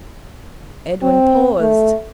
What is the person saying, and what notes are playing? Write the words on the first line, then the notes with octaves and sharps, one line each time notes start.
Edwin paused.
C4
A3